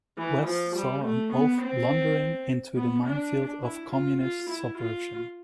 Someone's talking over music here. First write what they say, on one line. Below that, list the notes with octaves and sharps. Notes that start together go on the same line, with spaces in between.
West saw an oaf blundering into the minefield of Communist subversion.
E3
F3
G3
A3
B3
C4
B3
D4
E4
F4
F4
E4
F4